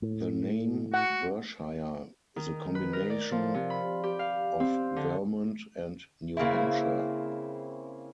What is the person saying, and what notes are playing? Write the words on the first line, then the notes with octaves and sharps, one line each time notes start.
The name Vershire is a combination of Vermont and New Hampshire.
A2
F#4 F#5
D#3
B4
A#4
D5
F3
C3
B5
G4
F5
C4
D3
C#3 A#3 C4 E4